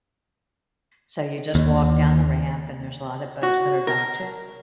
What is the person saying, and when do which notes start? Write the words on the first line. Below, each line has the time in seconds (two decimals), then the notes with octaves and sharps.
So you just walk down the ramp and there's a lot of boats that are docked to
1.55 D#2
3.43 F#4
3.87 A#4